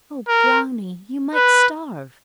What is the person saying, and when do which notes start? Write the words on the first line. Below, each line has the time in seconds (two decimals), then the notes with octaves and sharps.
'Oh, Brownie, you might starve!'
0.28 A#4
1.35 B4